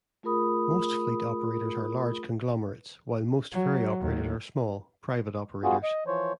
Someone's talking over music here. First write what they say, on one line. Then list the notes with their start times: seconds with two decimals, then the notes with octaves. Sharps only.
Most fleet operators are large conglomerates, while most ferry operators are small, private operators.
0.23 A3 F4 G#4 A#4 B5 D#6
3.52 F#3
4.00 D#2
5.64 G3 B3 F4 F#4 G#4
5.83 D#5
6.07 E3 F3 C5 C#5